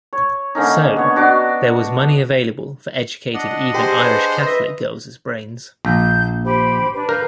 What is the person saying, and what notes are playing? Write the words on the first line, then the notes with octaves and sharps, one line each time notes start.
So, there was money available for educating even Irish Catholic girls' brains.
C#5
D3 A#3 C#4 D#4
B3 C#5
D4 F#4 D5 D#5
D4 D#5 F#5
G4 G#4 C5
B4
B4 D#5 E5 A#6
A#1 G6
G4 C5 B5
D4 B4
A#4 B4 F5 G6